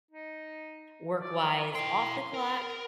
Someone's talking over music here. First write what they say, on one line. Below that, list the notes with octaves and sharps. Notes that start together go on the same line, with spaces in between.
work-wise, off the clock.
D#4
D5
E4 G5 C6
A#4